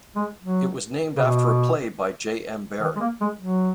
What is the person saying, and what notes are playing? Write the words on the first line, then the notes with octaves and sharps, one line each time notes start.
It was named after a play by J. M. Barrie.
G#3
F#3
C#3
B2
D#3
G#3
A#3
G#3
F#3